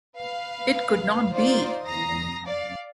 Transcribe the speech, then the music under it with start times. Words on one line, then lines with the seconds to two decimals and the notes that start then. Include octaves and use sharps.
It could not be!
0.17 B4 F5
1.31 D#4 F4 C5 D5
1.85 A#5 D#6 A#6 C7
2.44 D5 F5